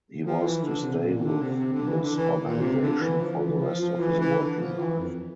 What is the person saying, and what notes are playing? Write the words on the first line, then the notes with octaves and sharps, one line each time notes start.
He was to stay with this organisation for the rest of his working life.
F3
E3
D3
C3
A#2
D3
C3
C3
D3
E3
D3
E3
A#2
C3
D3
E3
F3
E3
F3
F3
E3
E3
D3
F3
E3
F2